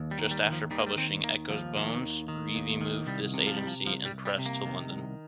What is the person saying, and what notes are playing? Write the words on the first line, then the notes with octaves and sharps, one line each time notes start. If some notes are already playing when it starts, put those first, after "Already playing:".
Just after publishing "Echo's Bones", Reavey moved this agency and press to London.
Already playing: D#2
G3
D#3
G3
D#2
F3
D#3 G3
A#3
G3
D#2 C4
D#3 A#3
D#2 F3
D#3
D#2
D#3
D#2
D#3
C2 G3
C3
F3
D#3 G3
F3
C2 F3
G3
C2
G3
C3
A#3
D#3
C2